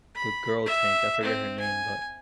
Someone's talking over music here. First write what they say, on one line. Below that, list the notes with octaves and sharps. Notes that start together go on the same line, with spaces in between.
the girl tank, I forget her name, but,
B5
E5
C4
G#5